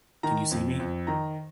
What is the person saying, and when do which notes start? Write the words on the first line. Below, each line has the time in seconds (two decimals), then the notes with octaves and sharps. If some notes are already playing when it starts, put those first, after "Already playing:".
Can you see me?
0.23 D#3 A#5
0.51 F2
0.79 F2
1.07 D#3 A#5